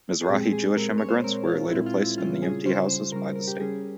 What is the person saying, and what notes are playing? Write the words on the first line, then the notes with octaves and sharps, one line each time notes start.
Mizrahi Jewish immigrants were later placed in the empty houses by the state.
G#4
A#2 G#3 C4 G4
G#4
A#2 G#3 C4 A#4
C#5
C5
A#2 G#3 C4 A#4
F4
A#2 G#3 C4 E4
F4
E4
C#3 G3 C#4 F4
G#4
C#3 G3 C#4 C5
C5
C#3 G3 C#4 A#4
A#4
G4
C#3 G3 C#4 G#4